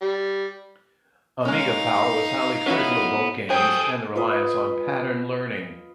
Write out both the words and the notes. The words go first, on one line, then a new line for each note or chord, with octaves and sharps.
Amiga Power was highly critical of both games and the reliance on pattern learning.
G3
G#3 C#4 D#4 F5
B3 C#4 E4 F#4 B4
F#3 G#4 A4 C5 G5 D#6
F4 B4 D#5